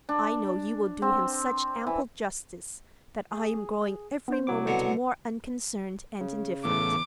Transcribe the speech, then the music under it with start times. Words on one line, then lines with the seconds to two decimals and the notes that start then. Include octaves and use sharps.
I know you will do him such ample justice, that I am growing every moment more unconcerned and indifferent.
0.09 D4
1.02 C4
1.87 E3
3.31 G#4
4.28 B3 C5
4.47 C2 F#3 D6
4.67 B2 D3
6.21 C#3
6.65 E2 A2 E3 B3 D6